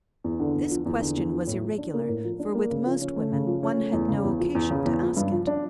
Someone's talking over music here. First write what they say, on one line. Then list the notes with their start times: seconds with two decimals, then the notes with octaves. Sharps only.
This question was irregular, for with most women one had no occasion to ask it.
0.24 E2
0.40 D3
0.55 E2
0.71 F3
0.86 E2
1.01 D3
1.17 E2
1.32 F3
1.47 A2
1.62 F3
1.78 D4
1.94 A#3
2.08 A2
2.24 F3
2.39 D4
2.55 A#3
2.70 C#3
2.86 F3
3.01 C#4
3.16 A3
3.32 C#3
3.47 F3
3.63 C#4
3.78 A3
3.93 E2
4.09 C#3
4.24 E2
4.40 F3
4.55 E2
4.71 C#3
4.85 E2
5.01 F3
5.16 G2
5.32 F3
5.47 D4